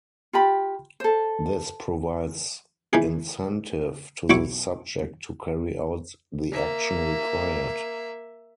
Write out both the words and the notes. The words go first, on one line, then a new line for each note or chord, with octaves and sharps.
This provides incentive to the subject to carry out the action required.
F4 G4 B5
A4 C5
E3 D#4 G#4
B1 F#3 E4 C#6 D6
A#3 E5